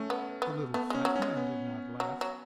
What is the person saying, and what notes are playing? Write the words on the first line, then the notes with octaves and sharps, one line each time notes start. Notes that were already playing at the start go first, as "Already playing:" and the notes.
The little fat man did not laugh.
Already playing: A3 C#4
B3
B3
A3 B3
G#3 C#4
F#3
C#4
G#3
B3
F#3
F#3